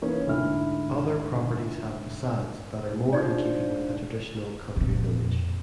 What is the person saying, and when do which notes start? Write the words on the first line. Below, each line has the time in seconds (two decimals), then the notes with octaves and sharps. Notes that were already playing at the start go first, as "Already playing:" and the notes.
Other properties have facades that are more in keeping with a traditional country village.
0.02 E3 A#3 C#4 D#4
0.27 D2 G#2 E4 F6
3.13 D4 D#4 F4 C5 D5
4.76 F2 A#2